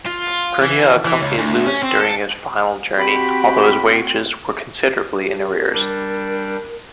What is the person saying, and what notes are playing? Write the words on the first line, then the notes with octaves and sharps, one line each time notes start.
Pernia accompanied Lewis during his final journey, although his wages were considerably in arrears.
F4
E3
E3
C#2
D2
C#4
C4
A4
C4 F#4 G4 G5 B5 C6
G4
G3 D4 A#4